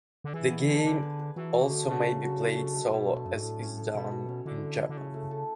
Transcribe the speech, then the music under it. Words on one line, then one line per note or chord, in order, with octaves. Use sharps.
The game also may be played solo, as is done in Japan.
D3
E3 G#4
B3
D4
D3 B4
B4
B4
E3 F#3
F#3
D3
A3
C#3 D4
F#3
F#3
D4
A4
A3
B2 A3
A3
F#2 A3
G#2
A2 A4
C#4
A4
B2 A4
F#4
C#4
D3 E4
A3
E4
D3
C#3 A3
A3
A4